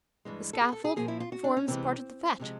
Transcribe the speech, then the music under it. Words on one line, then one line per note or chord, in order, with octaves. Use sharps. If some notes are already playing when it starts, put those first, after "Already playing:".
"The scaffold forms part of the fete."
G2 E3 G#3
A4
G#4
A4
G#4
A#2 F3 A#3 G#4
E4
F4
F#4
D4
C#4
C3 E3 G#3 C4
C3 F3 G#3